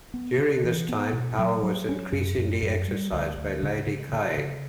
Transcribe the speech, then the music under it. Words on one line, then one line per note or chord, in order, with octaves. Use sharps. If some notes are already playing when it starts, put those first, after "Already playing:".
During this time power was increasingly exercised by Lady Ki.
B3
C#3
E3
B3
B2
F#3
F#3
C#4
F#2
F#2
F#2
G3
D2
D2
C#3
C#3
C#3
C#3